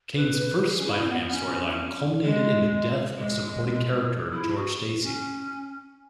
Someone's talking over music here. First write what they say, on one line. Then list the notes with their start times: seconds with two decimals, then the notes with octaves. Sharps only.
Kane's first Spider-Man storyline culminated in the death of supporting character George Stacy.
0.16 B4
0.39 B4
0.62 G#4
0.79 C#4
0.86 E4
1.04 C#4
1.09 B3
1.31 C#4
2.24 G#3
3.17 G#3
4.33 E4
4.50 G#4
4.56 F#4
5.02 C#4